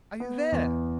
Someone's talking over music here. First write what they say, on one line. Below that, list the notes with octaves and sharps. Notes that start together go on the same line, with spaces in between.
Are you there?
B3
E2